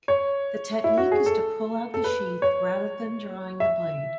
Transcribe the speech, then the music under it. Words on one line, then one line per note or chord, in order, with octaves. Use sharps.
The technique is to pull out the sheath rather than drawing the blade.
C#5
E4
F#4
G#4
A4
A4
B4
C#5
E5